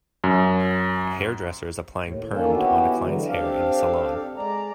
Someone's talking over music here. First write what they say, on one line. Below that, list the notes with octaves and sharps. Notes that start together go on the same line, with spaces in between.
A hair dresser is applying permed on a client 's hair in a salon.
F#2
D#2 A2
D#3 A#3 C#4 D4 F4 A4
B3 C#4 E4 F#4 G4
D3 E3 F#3 G#3
C4 D4 G4 A4 F5
G#3 D5 A#5